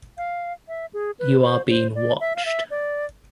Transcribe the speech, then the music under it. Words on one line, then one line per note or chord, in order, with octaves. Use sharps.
You are being watched.
F5
E5
G#4
B4
C5
C5
D5
E5
F5
E5
D5